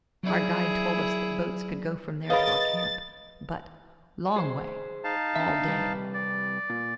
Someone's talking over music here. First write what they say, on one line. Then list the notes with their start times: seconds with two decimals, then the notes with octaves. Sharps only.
Our guide told us that boats could go from there to our camp--but "long way--all day."
0.23 F#3 E4 G#4 D5
2.30 G#4 A#4 B4 C#5 D#5 F5 B5 A6
4.36 G#4 C5
5.04 D#4 F5 A5
5.36 D4 E5
5.66 C3 G3 B4
6.14 D5
6.70 A#2